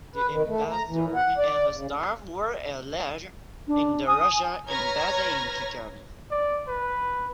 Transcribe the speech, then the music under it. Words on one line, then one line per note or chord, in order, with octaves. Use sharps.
The ambassador and her staff work at large in the Russian embassy in Kigali.
B4
D#3
A3
A#5
E3
F#5
D5
C#3
D4
G#5 D#6
B4 C#5 A#5 F6 G#6 A#6
D5
B4